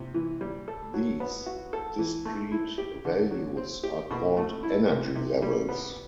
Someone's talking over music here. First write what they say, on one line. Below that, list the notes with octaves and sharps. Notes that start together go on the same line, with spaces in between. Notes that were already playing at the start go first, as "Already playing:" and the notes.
These discrete values are called energy levels.
Already playing: C3
E3
G3
A4
F#3
B3
F#4
A4
E3
A3
E4
G4
D3
F#3
C4
G4
B2
A3
E4
C3
C3
G3
B3